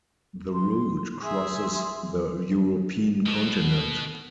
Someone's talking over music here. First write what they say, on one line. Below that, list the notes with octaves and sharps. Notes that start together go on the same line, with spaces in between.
The route crosses the European continent.
C6
G#4 E5 C6
B2